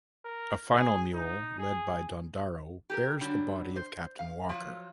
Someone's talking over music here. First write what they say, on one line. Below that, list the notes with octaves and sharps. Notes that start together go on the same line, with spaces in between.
A final mule, led by Dondaro, bears the body of Captain Walker.
A#4
G#4
D#4
G#4
G4 G#4 A#4
D3 F#3 G3 D4
C5
F5
F3 F#3 F4 F#4